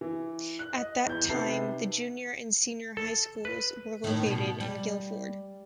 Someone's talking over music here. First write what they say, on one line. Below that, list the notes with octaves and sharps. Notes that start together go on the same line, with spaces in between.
At that time the Junior and Senior High Schools were located in Gildford.
E3
F#6
D#5
E2 G6
C3 D#3 B3 A4 C7
A4
B4
A2 D#3
B2
G3